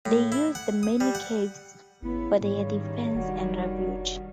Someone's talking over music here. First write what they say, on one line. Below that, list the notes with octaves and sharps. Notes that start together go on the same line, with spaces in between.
They used the many caves for their defense and refuge.
A2
E4
F#5
D#6
G3
F#5
G#1 C#3 B3 E4
G#2 D#3 G3 C#5
F1 D4 F#4